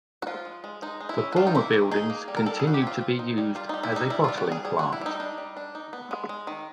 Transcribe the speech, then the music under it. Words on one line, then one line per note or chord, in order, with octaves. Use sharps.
The former buildings continued to be used as a bottling plant.
F#4
F3 F4
G#3
G#3
G#3 D#4
G#3
E4
C#4
F#4
G3 F4
D#4
A#3 E4
D#3
D#4 G#4
A#3
G3
A#4
G3 A4
G#4
D#4 F#4
G4
C4 F4
C4
D#4
G3
G3 F4
G3 D#4
E4
G3 D#4
G3 E4
G3 F4
F#4
G3 G#4
G3 G#4
G3 F#4
E4
G3 D#4
D4 D#4
G3
D4
D#4
B3
G#3
G#3
D#3